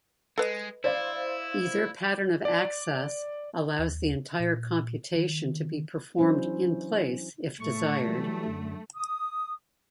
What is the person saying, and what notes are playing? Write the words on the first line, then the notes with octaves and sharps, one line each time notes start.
Either pattern of access allows the entire computation to be performed in-place if desired.
G#3 A4 B4 D#5
E4 C5 D5 F5
D5
D#2
A#2
D#3
E3 F#3 C#4 D4 E4 C5
A2 A3 C#6
E3 F#3 G3
F#2 D3
D#6